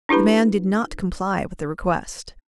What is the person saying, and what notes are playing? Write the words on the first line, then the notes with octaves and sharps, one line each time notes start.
The man did not comply with the request.
D4 E4 G4 B4 B5